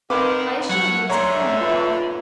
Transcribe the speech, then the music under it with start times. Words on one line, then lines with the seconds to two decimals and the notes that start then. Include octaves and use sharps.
"I assure you it's a formal offer."
0.10 G#2 D#3 C4 B4 F5 C6 D6
0.69 F#3 G3 A3 C#5 F#5
1.10 G#2 D3 C#5 E5 A#5 C6
1.61 F4 B4 B5